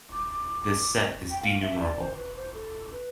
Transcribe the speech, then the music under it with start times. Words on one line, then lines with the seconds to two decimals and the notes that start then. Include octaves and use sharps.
This set is denumerable.
0.12 D6
0.30 D6
1.30 G5
1.43 F5
1.61 E5
1.80 D5
1.99 C5
2.16 B4
2.36 C5
2.54 A4
2.92 B4